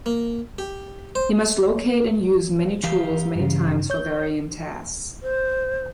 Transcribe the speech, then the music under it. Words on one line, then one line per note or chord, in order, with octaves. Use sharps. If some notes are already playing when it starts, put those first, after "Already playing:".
He must locate and use many tools many times for varying tasks.
A#3
G4
C5
E3 G4 F5
G2 C#3
C#5 G6
C5